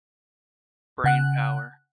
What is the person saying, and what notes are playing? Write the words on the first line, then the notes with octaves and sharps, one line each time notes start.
brain power.
C#3 F#5 F#6